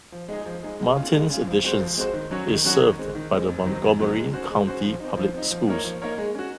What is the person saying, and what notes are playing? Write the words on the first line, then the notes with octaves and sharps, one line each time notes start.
Martin's Additions is served by the Montgomery County Public Schools.
F3
G#3 D#4 G#4
F3
G#3 D#4 G#4
G#3
C#4 F4
G#3
C#4 F4
F3
G#3 C4 F#4 C5
F3
G#3 C4 F#4 C5
D#3
F#3 C#4 F#4 C#5
D#3
F#3 C#4 F#4 C#5
D#3
G#3 C4
D#3
G#3 C4
F2
D#3 F#3 C4
F2
D#3 F#3 C4
G#3
C#4 F#4 C5
G#3
C#4 F#4 C5
F3
C4 D#4
F3
C4 D#4
F3
A#3 D#4 A#4 C#5
F3
A#3 D#4 A#4 C#5
G#3
C#4 F#4